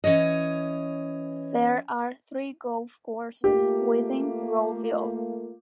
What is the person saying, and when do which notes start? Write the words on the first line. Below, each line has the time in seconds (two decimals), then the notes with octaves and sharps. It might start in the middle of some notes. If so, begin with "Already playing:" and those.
There are three golf courses within Rowville.
0.04 E3 C#4 C#5 D#5
3.44 A3 A#3 F4 G4